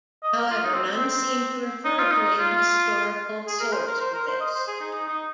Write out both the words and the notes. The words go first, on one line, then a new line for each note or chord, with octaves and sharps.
However, none seem to refer to a historical source for this.
D#5
A#4
F4
D#4
C4
C4
D#4
F4
D#4
F4
G#4
A#4
C5
A#4
C5
A#4
C5
D#5
C5
G#4
D#4
D#4
D#4